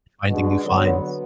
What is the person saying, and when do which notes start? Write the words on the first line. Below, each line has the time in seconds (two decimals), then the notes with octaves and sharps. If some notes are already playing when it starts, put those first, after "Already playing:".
finding new finds.
0.29 B2 G#3 D4 F#4
0.64 D3 F#3 B3